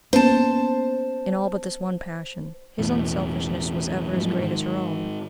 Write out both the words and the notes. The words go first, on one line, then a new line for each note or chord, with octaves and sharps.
In all but this one passion his unselfishness was ever as great as her own.
A#3 B3 C#4 C5 A5
E1 E2 A2
G#2 F3 F#3
G#2 D#3